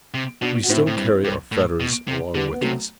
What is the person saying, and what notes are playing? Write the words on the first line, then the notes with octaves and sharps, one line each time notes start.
We still carry our fetters along with us.
C3
B2 D4 F#4
F#4
A2 C4 E4
A2
G2
G2
A2
B2
C3
D3 G3 B3
B3
C3 F#3 A3